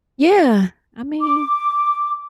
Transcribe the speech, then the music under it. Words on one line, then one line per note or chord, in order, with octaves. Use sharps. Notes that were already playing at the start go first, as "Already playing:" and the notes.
yeah, I mean
D6